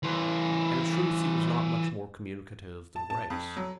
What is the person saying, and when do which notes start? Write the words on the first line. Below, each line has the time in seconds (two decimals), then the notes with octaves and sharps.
And, in truth, he was not much more communicative than Grace.
0.03 E3 C5
2.96 A5
3.10 A5
3.30 F2
3.57 F#3